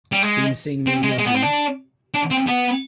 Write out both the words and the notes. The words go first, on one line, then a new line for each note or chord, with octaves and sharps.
Been seeing me in your dreams?
G3
G#3
C4
G#3
G#3
B3
C4
D4
D4
C4
B3